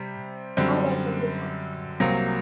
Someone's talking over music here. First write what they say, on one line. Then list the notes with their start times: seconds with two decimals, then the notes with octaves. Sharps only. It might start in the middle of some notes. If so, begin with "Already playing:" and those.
How about some guitar?
Already playing: C3 G3
0.57 F#2 D3 G3 C4
2.00 C2 C3 F#3 A#3